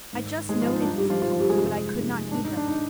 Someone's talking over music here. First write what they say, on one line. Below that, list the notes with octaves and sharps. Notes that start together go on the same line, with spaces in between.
I just noted these things, but I could not heed them.
G#2 D#3
G#2 D#3 G#3 G#4
F3 F4
D#4
D4
G2 D#3 D#4
G3 G4
F3 F4
G2 D#3 F3 F4
F3 F4
G3 G4
G#3 G#4
F2 C3 D#3
F2 C3 D#3
G#2 D#3 D4
D#4
D4
D#3 D#4